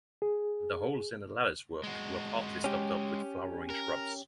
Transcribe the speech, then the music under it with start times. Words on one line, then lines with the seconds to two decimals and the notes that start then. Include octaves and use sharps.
The holes in the latticework were partly stopped up with flowering shrubs.
0.22 G#4
1.84 G#3 F#4
2.64 C#4 G4
3.70 A#4